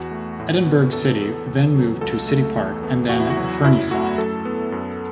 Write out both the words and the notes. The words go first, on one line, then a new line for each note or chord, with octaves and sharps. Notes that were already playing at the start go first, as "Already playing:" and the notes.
Edinburgh City then moved to City Park and then Fernieside.
Already playing: E2 F#4
A3
A2
B3
E2 A4
B3
E2
F#3
C#2 A4
A3
E2
B3
E2 F#4
E4
F#4
F#3
F#2 E4
A3 F#4
F#2 A4
B3
F#2